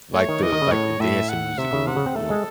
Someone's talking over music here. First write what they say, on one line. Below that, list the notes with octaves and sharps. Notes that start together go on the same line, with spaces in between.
Like the like the dancing music a little more.
A3 C#5
D#3
E3 D#5
D#3
C#3
A2 C#5
A2 E5
F#5
C3 E5
C#3
C3 F#5
C#3
C4
A3 A4
G#3